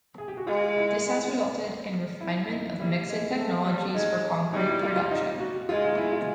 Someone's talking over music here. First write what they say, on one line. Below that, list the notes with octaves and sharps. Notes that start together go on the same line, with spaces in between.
This has resulted in refinement of mixing technologies for concrete production.
G#4
G4
F#4
G#3 F4
E4
E4
E4
D#4
G3 E4
G#3
A3
G3
G#3 D#4
G3 D#4
E4
F4
F4
D#4
F#4
G#3 F4
D#4
E4
F4